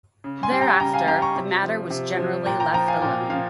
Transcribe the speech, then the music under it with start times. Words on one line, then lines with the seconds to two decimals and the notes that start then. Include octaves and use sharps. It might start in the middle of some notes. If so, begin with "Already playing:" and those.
Thereafter, the matter was generally left alone.
0.24 C#3
0.43 G#5 C6
0.52 G3
0.61 G5 A#5
0.80 C#3 G5 A#5
0.93 F5 G#5
1.07 G3 G5 A#5
1.22 A#5 C#6
1.36 C3
1.63 F3
1.90 C3
2.18 F3
2.46 A#2 G5 A#5
2.60 G5 A#5
2.74 F3 G5 A#5
2.88 F5 G#5
3.02 A#2 G5
3.29 F3 F5